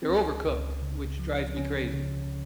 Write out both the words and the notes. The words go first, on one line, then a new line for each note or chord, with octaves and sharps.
they're overcooked which drives me crazy.
C4
C#2 C#4
C#2
C#3
F3
C#3 C#4
C#3